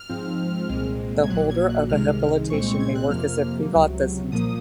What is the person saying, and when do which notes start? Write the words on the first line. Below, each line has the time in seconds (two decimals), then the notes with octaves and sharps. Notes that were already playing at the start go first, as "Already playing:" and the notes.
The holder of a Habilitation may work as "Privatdozent".
Already playing: F6
0.09 G#2 F3 C4
0.69 C2 A#2 G#3 C4
1.23 G#6
1.30 A#1 A#2 F#3 F#6
1.50 G#6
1.70 F#6
1.89 C2 C3 D#3 G#3 F6
2.50 C2 A#2 G#3 C4 C#6
2.66 C#6
2.80 G#6
2.95 F#6
3.10 F2 C3 F3 A#3 F6
3.72 C#2 C3 F#3
4.32 C2 A#2 F3 A#3 D#6